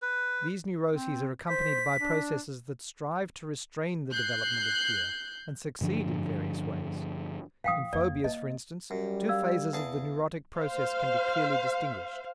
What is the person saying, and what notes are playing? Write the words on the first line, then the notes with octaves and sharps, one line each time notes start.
These neuroses are accompanied by processes that strive to restrain the development of fear, and succeed in various ways. In phobias, for instance, two phases of the neurotic process can be clearly distinguished.
B4
C4
C5 B6
D4
F#6 G6 C7
G2 D3 F3 D4
A2 E3 F5 G5 D#6
F2 A#3 D5
A#3 D#5
F#2 G3
F5 E6 G#6
E2 G#4 A5
C5 F5